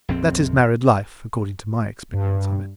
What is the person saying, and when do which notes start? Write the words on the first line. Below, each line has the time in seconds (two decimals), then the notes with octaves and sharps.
That is married life, according to my experience of it.
0.09 A#1 F2 C4
2.13 G2